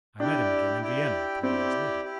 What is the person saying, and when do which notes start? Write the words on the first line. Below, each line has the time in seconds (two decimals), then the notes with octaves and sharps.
I met him again in Vienna three years later.
0.20 D4 E4 G4 D5 G5
0.81 E4 G4 D5 G5
1.43 C4 E4 G4 D5 G5
2.04 E4 G4